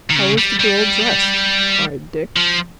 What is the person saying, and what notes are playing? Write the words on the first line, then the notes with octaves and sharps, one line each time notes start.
"How was the girl dressed?" cried Dick.
D#3
C#3
G3
G3
F3